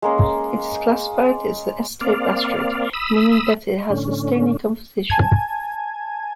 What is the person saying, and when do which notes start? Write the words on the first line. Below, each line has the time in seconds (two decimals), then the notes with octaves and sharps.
It is classified as an S-type asteroid, meaning that it has a stony composition.
0.02 G#3 A#3 C#4
2.01 A#3 C4 D5 F5
2.93 B5 D#6 E6
3.90 A2 D3 C#4
5.10 G#5 A5 G#6